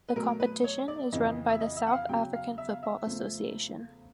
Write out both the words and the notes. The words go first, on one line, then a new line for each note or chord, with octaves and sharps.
The competition is run by the South African Football Association.
B4
B2 F#3 A3 A#4
B4
C#5
D5
F2 C#3 E3 D#5
E5
D#5
E5
F#5
F5
E2 C#3 F#3 G5
F5
E5
F5
E5
E2 C#3 F3 A3